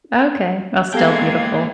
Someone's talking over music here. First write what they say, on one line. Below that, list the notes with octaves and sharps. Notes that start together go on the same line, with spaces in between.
Okay. Well, still beautiful.
G#3 A#3 B3 G4 A4 F5 G5 G#6